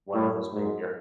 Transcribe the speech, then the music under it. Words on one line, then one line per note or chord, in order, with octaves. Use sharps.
one of those bigger
A2
G#2